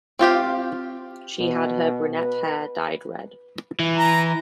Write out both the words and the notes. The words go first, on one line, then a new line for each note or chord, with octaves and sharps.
She had her brunette hair dyed red.
C4 F4 G4 F5
B2
B4
E3
A#5